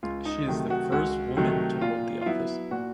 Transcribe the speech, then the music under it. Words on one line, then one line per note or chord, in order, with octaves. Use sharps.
She is the first woman to hold the office.
C#2 F4
D#4
C3 D#3 F#3 A3
F#4
C#2 F#4
C3 D#3 F#3 A3
A#2 F4
F4
F#3 B3 E4
A#2 F#4